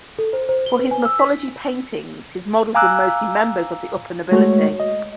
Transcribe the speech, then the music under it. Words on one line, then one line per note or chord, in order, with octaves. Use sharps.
For his mythology paintings his models were mostly members of the upper nobility.
A4
C5
C5
G7
B4
G#5
E6
B6
F5 G#5 A#5 D6 E6 F#6
G#3 A3 F#4 C#5
D#5